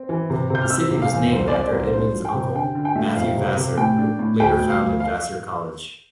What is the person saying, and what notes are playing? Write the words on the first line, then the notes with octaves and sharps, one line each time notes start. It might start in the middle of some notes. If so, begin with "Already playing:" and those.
The city was named after Edmund's uncle, Matthew Vassar, who later founded Vassar College.
Already playing: C4
E3
C3
C3 G6
F6
C4 E6
C3
F5
E2
C2 C5
C4 D5
D5
C2
C5
D4 C5
F3
G5
C3
D3 G5
D3
G5
A3
F2 F5
C3
C3
A2 G5
D4
A2
D2 G5
D2
F5
D2
F5